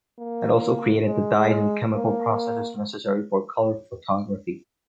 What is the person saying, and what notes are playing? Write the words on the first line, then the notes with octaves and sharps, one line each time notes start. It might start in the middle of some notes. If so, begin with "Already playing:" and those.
It also created the dyes and chemical processes necessary for color photography.
A#3
G#3
A#3